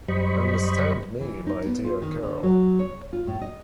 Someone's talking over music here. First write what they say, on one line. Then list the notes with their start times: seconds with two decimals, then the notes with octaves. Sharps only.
Understand me, my dear girl.
0.08 F#2 G3 C5 D#5 B5 C#6
1.21 E3
1.47 D#4
1.66 B3
1.84 F4
2.02 D#3
2.23 D3
2.43 F#3
2.79 C#5
3.13 F4
3.27 A2
3.41 D#5